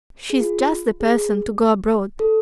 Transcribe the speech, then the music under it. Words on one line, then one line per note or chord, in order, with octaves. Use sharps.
"She's just the person to go abroad."
G#4
F4
G#4
A4